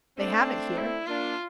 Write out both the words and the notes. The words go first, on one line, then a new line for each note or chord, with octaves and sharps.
They have it here.
A3 C4 D4
E4
A#3 D4 F4